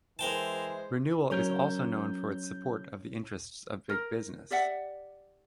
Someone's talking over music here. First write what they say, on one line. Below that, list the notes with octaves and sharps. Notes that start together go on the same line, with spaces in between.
Renewal is also known for its support of the interests of big business.
E3 G#3 A#4 C5 G5 A5
F#3 C#4 A#4 C#5 G6
A#4
G4 D5 E5 F#5